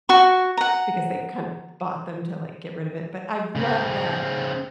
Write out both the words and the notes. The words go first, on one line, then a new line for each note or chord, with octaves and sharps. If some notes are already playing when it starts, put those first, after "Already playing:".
because they kind of bought them to, like, get rid of it, but I love that
F#4 C#6
F#5 A#5
C#3 C4